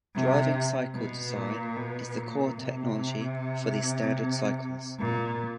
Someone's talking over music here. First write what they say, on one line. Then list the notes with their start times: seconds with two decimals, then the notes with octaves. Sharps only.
Driving cycle design is the core technology for these standard cycles.
0.15 C3
0.95 B2
1.36 A#2
1.76 B2
2.17 A#2
2.57 C3
5.00 A#2